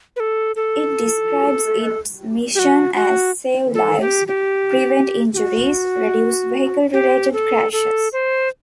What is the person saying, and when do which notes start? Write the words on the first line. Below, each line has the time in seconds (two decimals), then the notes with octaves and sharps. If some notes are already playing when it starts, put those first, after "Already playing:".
It describes its mission as Save lives, prevent injuries, reduce vehicle-related crashes.
0.16 B4
0.20 A4
0.56 A4
2.55 G4
2.59 F#4
2.95 F#4
3.75 A4
4.01 G4
4.28 G4
5.34 G4
5.37 F#4
6.93 G4
7.33 A4
7.72 A4
8.13 C5